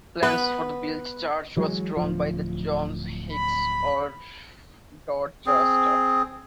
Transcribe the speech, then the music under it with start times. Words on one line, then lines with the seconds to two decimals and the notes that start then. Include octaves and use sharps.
Plans for the rebuilt church were drawn up by John Hicks of Dorchester.
0.23 B3 B4
1.57 E3 F#3 G#3
1.97 D1 F3
3.33 B5
5.46 C4 G#4